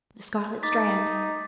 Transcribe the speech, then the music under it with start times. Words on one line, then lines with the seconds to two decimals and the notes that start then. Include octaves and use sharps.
'The scarlet strand!
0.63 D#4 D6 A6 B6